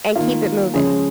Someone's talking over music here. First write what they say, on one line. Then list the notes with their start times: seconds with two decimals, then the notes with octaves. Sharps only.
and keep it moving."
0.16 D#3 A#3 F4
0.74 C#3 F3 G#3 C#4 G#4